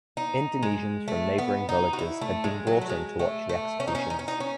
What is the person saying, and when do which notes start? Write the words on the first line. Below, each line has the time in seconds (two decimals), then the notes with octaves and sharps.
Indonesians from neighboring villages had been brought in to watch the executions.
0.17 D#4
0.63 G#3
1.08 A3
1.38 B3
1.69 D#4
1.93 F#4
1.99 E4
2.21 A3
2.44 G#3
2.67 F#3
2.82 A3
2.89 G#3
3.19 A3
3.49 A3
3.80 C#4
3.87 D#4
3.95 C#4
4.10 D#4
4.19 C#4
4.28 D#4
4.40 C#4